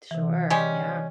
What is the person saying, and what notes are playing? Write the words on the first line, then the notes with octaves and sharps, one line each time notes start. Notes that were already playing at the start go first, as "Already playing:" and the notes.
Sure, yeah.
C3 E3
G3 G#3 C#4